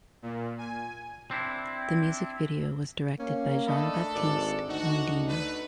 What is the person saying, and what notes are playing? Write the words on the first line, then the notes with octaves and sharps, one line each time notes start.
The music video was directed by Jean-Baptiste Mondino.
A#2
G#5
C4 D4 E4
A#3 C#4
A3 D4 A4 D#5 B5
G#1 D4 D5
D2 D#4 F#4
A3 B3 B4